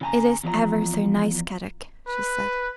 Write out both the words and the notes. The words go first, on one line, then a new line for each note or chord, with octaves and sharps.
"It is ever so nice, Kadok," she said.
C#3 G#5 A#5
E2 F3 D5 A#5
B4